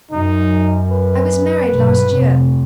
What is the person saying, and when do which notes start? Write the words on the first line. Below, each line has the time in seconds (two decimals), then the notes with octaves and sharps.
I was married last year.
0.11 F#2 D#4
0.91 B4
1.72 B1 G2
2.12 F1